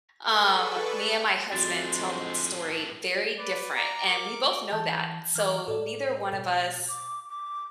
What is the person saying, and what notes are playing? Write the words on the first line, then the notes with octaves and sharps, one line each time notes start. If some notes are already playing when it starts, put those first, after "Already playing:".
but, um, me and my husband tell the story very different and we both know that, so neither one of us
G#4 A4 B4 D5 C#6
F2 A2 G#3 D4 F#4 C5 A6
B4 D5
D5 A#5
A#4 D6
E3 A5 G6
E3 D6 F6
A2 A4 D5
B2
D6
D6